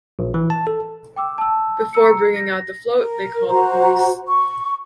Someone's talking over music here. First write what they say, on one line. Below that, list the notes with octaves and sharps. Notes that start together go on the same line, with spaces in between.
Before bringing out the float, they call the police.
A#1
E3
A5
A4
G5 D6 E6
A5 E6
A#5 E6 C#7
A#6
A#4
F#4 C5 A#5
C#6